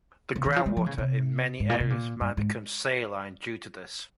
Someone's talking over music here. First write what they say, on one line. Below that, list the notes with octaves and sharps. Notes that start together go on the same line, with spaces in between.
The groundwater in many areas might become saline due to this.
C#3
D#3
F3
G#3
F3
C#3
C3
G#2
A#2
C3
A#2
G2
G#2